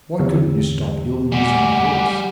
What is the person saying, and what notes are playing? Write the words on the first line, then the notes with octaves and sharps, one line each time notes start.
Why couldn't you stop ill-using the horse?
E2 D3
G3 G#4 F#5 G#5 D6